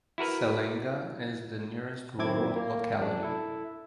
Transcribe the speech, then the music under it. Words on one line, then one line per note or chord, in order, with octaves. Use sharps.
Selenga is the nearest rural locality.
E4 F#4 A#4 B4
F#2 D#3 C4 E4 D6 G#6
A#3
F#2 D4
E4 A4